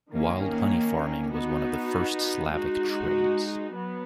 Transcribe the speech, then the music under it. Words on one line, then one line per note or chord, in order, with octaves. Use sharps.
Wild honey farming was one of the first Slavic trades.
D#3 A#3 C#4
B3 D#4 F#4
G#3 D#4 F#4
F#3 B3